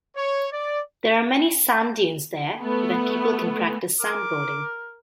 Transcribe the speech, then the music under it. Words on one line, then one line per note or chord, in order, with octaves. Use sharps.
There are many sand dunes there, where people can practice sandboarding.
C#5
D5
A3 B3
A#4 D6